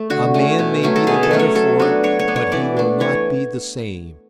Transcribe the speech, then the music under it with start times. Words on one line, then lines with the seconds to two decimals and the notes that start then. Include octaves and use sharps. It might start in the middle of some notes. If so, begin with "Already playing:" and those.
A man may be the better for it, but he will not be the same.
Already playing: A3 A4
0.10 D3 F#4
0.34 A3 C#4
0.59 B2
0.83 F#3 A3 C#4
0.96 A4
1.07 B2 G#4
1.23 A4
1.31 F#3 A3 C#4
1.39 C#5
1.55 F#3 A4
1.79 B3 D4 F#4
2.03 F#3 C#5
2.19 C#5
2.28 B3 D4
2.36 C#5
2.52 E3 D5
2.77 A3 D4
3.00 E3 C#5